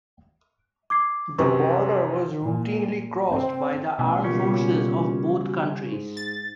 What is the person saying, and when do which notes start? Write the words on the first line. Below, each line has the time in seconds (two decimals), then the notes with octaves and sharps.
The border was routinely crossed by the armed forces of both countries.
0.90 D6 G#6 C7
1.38 F#2 C3 B4 C#6
2.43 A#2
3.30 C4
3.99 A1 B2
4.23 A#2 C#3 G3 C#4
5.92 G#2
6.17 A6